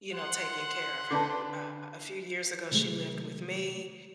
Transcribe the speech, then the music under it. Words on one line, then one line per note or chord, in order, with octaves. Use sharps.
you know, taking care of her. Uh, a few years ago, she lived with me,
F#5 C6
D3 D4 B4 A5 D6
C3 D#3 F#3 G#3 A3